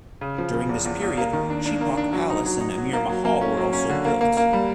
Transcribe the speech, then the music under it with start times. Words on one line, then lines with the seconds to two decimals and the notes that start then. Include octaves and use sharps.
During this period, Chepauk Palace and Amir Mahal were also built.
0.21 C#3
0.38 F3
0.54 F3
0.69 E2
0.86 E2
1.02 E2
1.18 A#3
1.33 D#3
1.50 D4
1.66 D4
1.81 A#3
1.97 D4
2.13 F#3
2.30 D#4
2.45 F#3
2.61 D#4
2.78 F#3
2.93 A#3
3.09 F#3
3.25 A#3
3.41 C#4
3.57 F#3
3.73 C#4
3.89 D3
4.05 A#3
4.21 A#3
4.37 A#3
4.53 G3